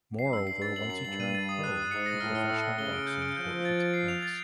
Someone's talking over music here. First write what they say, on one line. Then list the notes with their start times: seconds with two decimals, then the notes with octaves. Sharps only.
Moreover once he turned pro to professional boxing for eight months.
0.19 F#2 C7
0.33 E6
0.47 G2 C7
0.62 A6
0.76 F#2 F#7
0.90 C7
1.05 G2 F#7
1.20 D#7
1.35 A6
1.49 D#6
1.64 F#6
1.77 D#6
1.91 G#2 C#7
2.06 A#6
2.20 A2 F6
2.35 F6
2.49 E6
2.63 E6
2.78 C#3 G7
2.93 D7
3.07 G6
3.22 D7
3.37 F3 G6
3.51 G6
3.65 A6
3.80 A6
3.94 C7
4.08 F7
4.22 A6